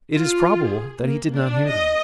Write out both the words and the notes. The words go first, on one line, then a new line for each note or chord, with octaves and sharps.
It is probable that he did not hear them.
F4
G#4
A#3
D4
D#5